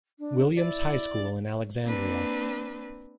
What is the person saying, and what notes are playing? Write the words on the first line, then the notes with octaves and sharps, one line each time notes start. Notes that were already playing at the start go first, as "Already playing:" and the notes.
Williams High School in Alexandria.
D4
E4 D5
A#3 C4 D4 B4